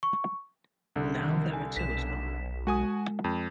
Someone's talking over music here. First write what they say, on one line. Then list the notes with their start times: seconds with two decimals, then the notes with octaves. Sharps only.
Now there are two of them.
0.03 C#6
0.96 C2 D3
1.21 D#3
1.53 G#5
1.76 B1 B6 E7
2.67 G#3 F#4 G#5 D#6
3.24 F2